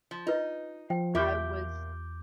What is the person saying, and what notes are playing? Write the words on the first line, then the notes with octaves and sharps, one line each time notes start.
Yep, I was
F3
D#4 F4 B4 D#5
F3 G5
E2 A#2 F4 G4 A#4 E5 D6 G6